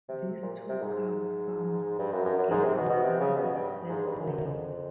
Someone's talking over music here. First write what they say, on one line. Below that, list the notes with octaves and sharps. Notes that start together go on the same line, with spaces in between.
These two cow farms gave the town its first name.
C3
A#2
C3
G#2
G2
F#2
F#2
F#2
G#2
C3
B2
B2
C3
C#3
B2
G2
G#2
G2
F#2
F#2
F2